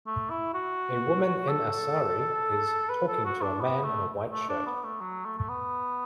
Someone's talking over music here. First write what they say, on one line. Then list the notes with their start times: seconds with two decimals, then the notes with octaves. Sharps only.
A woman in a sari is talking to a man in a white shirt.
0.07 A3
0.30 E4
0.54 F#4
1.48 A4
2.89 B4
3.07 A4
3.25 F#4
3.42 D4
3.60 B3
3.84 A3
4.30 A3
4.49 D4
4.66 B3
4.84 A3
5.01 F#3
5.25 A3
5.38 A3
5.49 B3